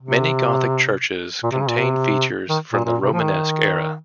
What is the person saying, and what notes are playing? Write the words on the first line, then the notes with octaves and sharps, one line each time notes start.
Many gothic churches contain features from the romanesque era.
C3
A#2
C3
C#3
A#2
C3
D#3
A#2
A#2
C3
F3
D#3